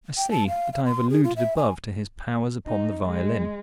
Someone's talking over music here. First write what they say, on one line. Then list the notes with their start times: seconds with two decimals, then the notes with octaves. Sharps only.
I see that I have alluded above to his powers upon the violin.
0.17 G5
0.31 A5
0.48 F5
0.73 F5
0.85 C6
1.10 G#4
1.24 F4
1.37 E5
1.57 G#5
2.67 D#4
3.04 G#3